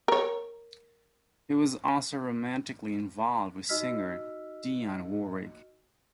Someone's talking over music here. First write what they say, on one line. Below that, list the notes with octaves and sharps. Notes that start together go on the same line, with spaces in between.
He was also romantically involved with singer Dionne Warwick.
A#4 C#5
D#4 F#4 D#5 E6 F6 B6